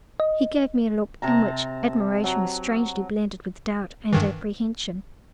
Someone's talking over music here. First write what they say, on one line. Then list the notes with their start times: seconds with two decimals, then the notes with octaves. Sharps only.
He gave me a look in which admiration was strangely blended with doubt and apprehension.
0.20 D#5
1.22 C3 A5 A#5
2.24 F#3
4.13 G2 D#3 E3